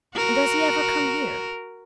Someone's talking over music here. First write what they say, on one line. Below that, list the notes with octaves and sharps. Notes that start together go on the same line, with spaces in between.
'And does he ever come here?'
F#4 A#4